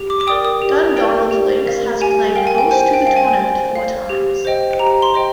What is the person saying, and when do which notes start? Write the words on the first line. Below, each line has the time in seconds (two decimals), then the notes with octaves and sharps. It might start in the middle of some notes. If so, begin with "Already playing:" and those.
Dundonald Links has played host to the tournament four times.
Already playing: G4
0.10 D6
0.21 D6
0.27 A#4 D5 G5 D#6
0.45 D#6
0.62 G4
0.96 A#4 D5 G5
1.31 G4
1.66 A#4 F5
2.01 G4 G#5
2.36 A#4 F5 G5
2.47 G#5
2.58 G5
2.71 C5 G#5
2.94 G5
3.06 F5 G5
3.17 G#5
3.40 C5
3.76 F5
4.09 G4
4.45 C5 D#5 G5
4.79 G4 A#5
5.02 C6
5.14 C5 D#5 G5